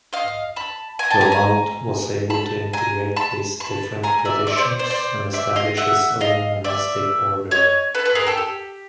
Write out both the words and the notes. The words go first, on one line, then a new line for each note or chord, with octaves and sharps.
Romuald was able to integrate these different traditions and establish his own monastic order.
D#5 F5
A5 B5
G#5 A#5
G5 A5
G#5 A#5
G#5 A#5
A5 B5
G#5 A#5
A5 B5
A5 B5
G#5 A#5
D5 E5
D5 E5
C5 D5
C5 D5
C5 D5
D5 E5
D#5 F5
E5 F#5
D#5 F5
D5 E5
C#5 D#5
A4 B4
A4 B4
G#4 A#4
G4 A4
G4